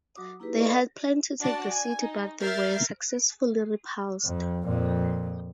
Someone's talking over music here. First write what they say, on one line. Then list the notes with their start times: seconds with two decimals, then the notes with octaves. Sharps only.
They had planned to take the city but they were successfully repulsed.
0.16 F#3 F#4 D6 D#6
0.40 A#3 D#4 E4 G4 G#4 B4
0.57 A4 B4 D5 D#5 F5 C#6
1.40 D4 F#4 D5 A5
1.71 G#5
2.01 D#4
2.40 A#4 E5 F6 G6 A6 C7
4.24 F2
4.64 F2 A#2